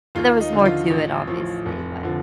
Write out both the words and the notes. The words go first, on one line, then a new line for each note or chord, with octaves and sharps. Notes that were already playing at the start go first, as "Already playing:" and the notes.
there was more to it, obviously, but
D#2 F4
D#4
D3 F3
F4
A1
A2 F3
F1
D3 F3